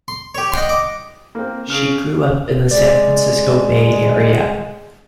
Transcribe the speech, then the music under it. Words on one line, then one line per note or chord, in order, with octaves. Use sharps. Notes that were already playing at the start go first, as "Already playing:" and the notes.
She grew up in the San Francisco Bay Area.
C6
G4 C#5
D#5 F#5 G5 C6
D#5 D6
A#3 C4
C#3 F6
G#3 D5